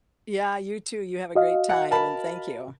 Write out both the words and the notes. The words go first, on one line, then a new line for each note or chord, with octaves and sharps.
Yeah, you too, you have a great time, and thank you.
F#4 D#5 F5
F#5
A#4 A5 B5